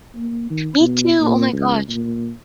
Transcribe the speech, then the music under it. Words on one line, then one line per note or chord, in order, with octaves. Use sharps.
Me too! Oh my gosh.
A#3
D#3
B2
A#2
C#2
A#2